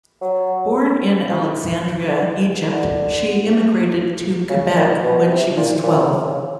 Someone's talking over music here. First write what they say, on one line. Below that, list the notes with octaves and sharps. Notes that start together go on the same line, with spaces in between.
Born in Alexandria, Egypt, she immigrated to Quebec when she was twelve.
F#3
F3
D3
D3
C#3
A#2
B2
C3
A#2
A#2
A2
C#3